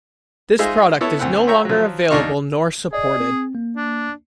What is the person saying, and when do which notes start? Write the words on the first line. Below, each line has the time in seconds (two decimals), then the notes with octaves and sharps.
This product is no longer available nor supported.
0.59 G#3 D#4 F4 G#4 C5 E5
1.01 B3 E4 A4 C#5
1.19 D2 C4 F#5 F#6
1.47 F4 C#5 E5 G5 A#5 C#6
1.65 F3 F#3
2.10 D#2 D4 D#4 C#6 F6
2.93 G#4 D5 D#5
3.20 C4
3.55 A#3
3.76 D4